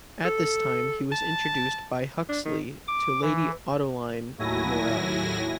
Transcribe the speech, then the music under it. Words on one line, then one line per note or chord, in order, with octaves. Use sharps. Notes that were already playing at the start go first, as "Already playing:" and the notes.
At this time he was introduced by Huxley to Lady Ottoline Morrell.
A4
A5
D4
D#3
D6
E3
D#2 A2 F#3 E4 G#5 A#6